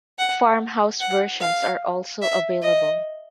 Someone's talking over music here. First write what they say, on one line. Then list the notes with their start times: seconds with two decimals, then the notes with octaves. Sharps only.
Farmhouse versions are also available.
0.19 F#5
1.01 F#5
1.41 F5
2.22 E5
2.63 D#5